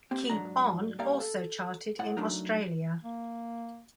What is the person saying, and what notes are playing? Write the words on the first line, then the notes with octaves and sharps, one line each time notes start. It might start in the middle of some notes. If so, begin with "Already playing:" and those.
"Keep On" also charted in Australia.
A#3 C4 G4
G#2 F#3 D4 A#5
G2 G3 A#3 D5 F5 A#5
A4
A2 F#5
F#3 A3 D4 D#4 A#4
A#3